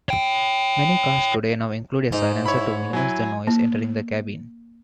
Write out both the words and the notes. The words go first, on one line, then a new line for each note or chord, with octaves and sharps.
Many cars today now include a silencer to minimize the noise entering the cabin.
C#5 G5
G#2 D#4
E4 C#5 B5
F#3 E4 G#5
A#3